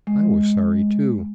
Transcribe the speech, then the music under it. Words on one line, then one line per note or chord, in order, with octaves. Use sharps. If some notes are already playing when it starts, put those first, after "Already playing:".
I was sorry, too.
G#3